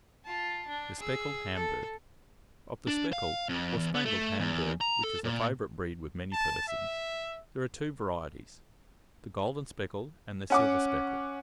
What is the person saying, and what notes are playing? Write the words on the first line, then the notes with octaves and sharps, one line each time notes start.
THE SPECKLED HAMBURG.--Of the speckled, or spangled Hamburg which is a favourite breed with many persons, there are two varieties,--the golden-speckled and the silver-speckled.
F4 A5
D4
G#4 E6
A4
D4
F5
F2
E2
B3
A3
E2
A#5
A4
A#2
A5
E5
C#4 F#5 D6